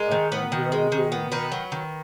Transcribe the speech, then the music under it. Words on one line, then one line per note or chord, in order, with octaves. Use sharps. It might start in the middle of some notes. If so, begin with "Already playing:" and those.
Likewise, you have a good one, ma'am.
Already playing: G#3 A#4
D#3
B3
D#3
G#3
D#3
B3
D#3 B4
F#3
D#3